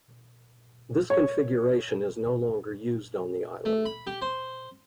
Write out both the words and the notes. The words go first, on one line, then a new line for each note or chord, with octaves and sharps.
This configuration is no longer used on the island.
C#5
A3
B5
G4
C5